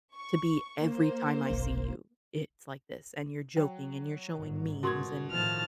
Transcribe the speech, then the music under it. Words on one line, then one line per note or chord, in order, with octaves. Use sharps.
to be every time I see you. It's like this, and you're joking, and you're showing memes, and
C#6
A#3 C5
F#1 B1
F#3 G5
G1 G#2
B2 F#4 A#4 C6 G#6
A2 D#3 F3 A5 F6